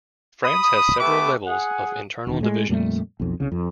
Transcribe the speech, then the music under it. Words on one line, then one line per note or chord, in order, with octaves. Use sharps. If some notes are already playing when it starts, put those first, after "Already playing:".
France has several levels of internal divisions.
B5 D#6
A3 B3 G4 B4 E5 D6
G#4 F#5
E1 D#3
A2 G#3
F2 A#2 G3 A3
B1 F2
C2 C#3
F2